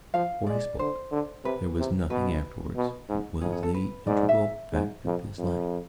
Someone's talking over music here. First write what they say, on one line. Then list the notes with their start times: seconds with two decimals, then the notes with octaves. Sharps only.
Before he spoke, there was nothing; afterwards, it was the integral fact of his life.
0.14 F3 F5
0.47 G#3 D5
0.79 D3 C5
1.11 D3
1.44 C3 B4
1.78 C3
2.10 B2 B4
2.76 B2
3.09 G#2
3.41 F2 G#4
3.52 G#4
3.63 A4
3.74 B4
4.07 G#2 D5
4.29 E5
4.73 G#2
5.05 F2
5.38 F2